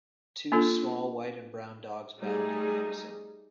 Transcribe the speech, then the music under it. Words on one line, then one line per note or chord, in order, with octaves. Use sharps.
Two small white and brown dogs bound in unison.
A#3 D4 F4 A4
G3 A3 D#4 G#4